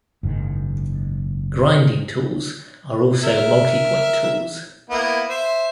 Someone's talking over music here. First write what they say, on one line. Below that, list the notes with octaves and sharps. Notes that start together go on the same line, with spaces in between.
Grinding tools are also multipoint tools.
F#1 G#2 D#3 G#3
A#4 E5
A#3 B3 E4
C5 E5